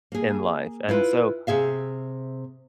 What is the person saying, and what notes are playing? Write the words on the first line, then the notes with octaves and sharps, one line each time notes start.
in life, and so
A#3 G#4
E4 F4 B4
C3 G#4 E5 F5